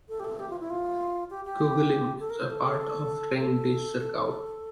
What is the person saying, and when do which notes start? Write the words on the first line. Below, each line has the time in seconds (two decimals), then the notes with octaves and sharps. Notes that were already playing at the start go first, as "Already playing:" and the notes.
Kogalym is part of the raïon de Sourgout.
0.09 A4
0.19 G4
0.24 A4
0.39 G4
0.50 F4
0.60 E4
0.70 F4
1.30 G4
1.45 G4
2.20 A4
2.30 A#4
2.40 C5
2.50 A4
3.40 A4
4.00 A4